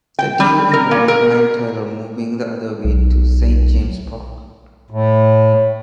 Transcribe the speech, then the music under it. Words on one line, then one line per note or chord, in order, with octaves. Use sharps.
The deal involved Ryan Taylor moving the other way to Saint James' Park.
G5
G3
A#4
A#3
A#4
B1
A2